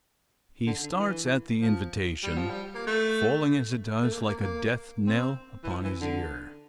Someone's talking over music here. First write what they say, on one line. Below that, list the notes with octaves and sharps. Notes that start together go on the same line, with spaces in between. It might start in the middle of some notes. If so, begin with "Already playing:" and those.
He starts at the invitation--falling, as it does, like a death-knell upon his ear.
D3
D3
E3
F3
G3
F3
G3
A#3
A3
A3
A#3
A#3
A#3
C4
E3
F3
E3
D3